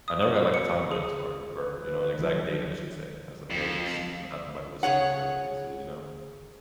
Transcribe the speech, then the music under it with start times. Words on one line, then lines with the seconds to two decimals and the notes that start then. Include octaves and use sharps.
I never got, like, a timeline as far as or, you know, an exact date, I should say. I was like, Hey, this happened by this day," or whatever the case is, you know?
0.08 D#6
0.54 C#7
0.91 G#4
1.56 B4
2.19 D#3 F3 F#3
3.50 F2
4.83 C#3 G#4 C#5 F#5